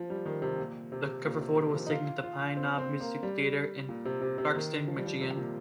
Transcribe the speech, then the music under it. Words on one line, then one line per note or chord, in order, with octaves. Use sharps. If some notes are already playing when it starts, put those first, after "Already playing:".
The cover photo was taken at the Pine Knob Music Theater in Clarkston, Michigan.
Already playing: F3
G3
D#3
C3
A#2
C3
A#2
C3
D#3
F3
D#4
F4
F4
C4
C4
A#3
G3
A#2
C3
C3
C3
D#3
F3
G3
F3
C3
A#2